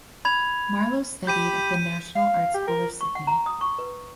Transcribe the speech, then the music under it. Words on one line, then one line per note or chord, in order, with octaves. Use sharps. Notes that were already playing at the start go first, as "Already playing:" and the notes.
Marlow studied at the National Art School of Sydney.
B5 G#6 F7
G4 B5 G6 B6 D#7
F5
G4
A#4
C#6
F#5
A#5
D#6
C#6
B4